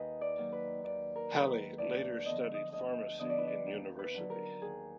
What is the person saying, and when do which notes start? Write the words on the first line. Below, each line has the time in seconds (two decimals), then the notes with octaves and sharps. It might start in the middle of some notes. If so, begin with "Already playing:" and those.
Halley later studied pharmacy in university.
Already playing: D#2 G#4 B4 D#5
0.21 D5
0.37 D#3 F#3 A#3
0.53 B4
0.84 D#2 D5
1.16 A#4
1.31 D#3 F#3 A#3
1.47 B4
1.78 D2 D5
2.25 D3 F3 B3 D4 D#5
2.54 D#5
2.72 D2 D#5
3.19 D3 F3 B3 D4 D#5
3.29 D5
3.38 B4
3.47 D5
3.67 D#2
3.99 B4
4.14 D3 F#3 D4
4.30 A#4
4.62 D#2 G#4